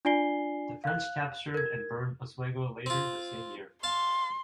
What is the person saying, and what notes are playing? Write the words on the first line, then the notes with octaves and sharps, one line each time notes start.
The French captured and burned Oswego later the same year.
D4 F4 D5 G#5 C7 G7
F5 F#6
A#4 G#6
C4 F4
F5 A5 C6